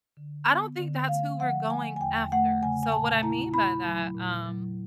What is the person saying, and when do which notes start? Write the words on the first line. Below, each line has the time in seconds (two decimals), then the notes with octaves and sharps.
I don't think that's who we're going after. So what I mean by that, um,
0.17 D3
0.48 B3
0.79 D3
1.09 A3 F5
1.39 F3 F#5
1.70 A3 G#5
1.96 G#5
2.00 E2 G5
2.32 A3 F#5
2.62 C#3 G#5
2.83 G#5
2.92 A#2 A5
3.23 E4 A#5
3.54 E4 B5
3.85 F#3
4.15 A#2
4.46 F#3